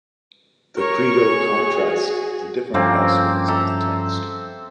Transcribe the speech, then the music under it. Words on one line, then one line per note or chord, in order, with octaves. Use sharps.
The Credo contrasts the different aspects of the text.
A#4 C#5 C#6
F#4 G#4
G2 F3 A3 A#3 C4 C#4
A4 E5 A#5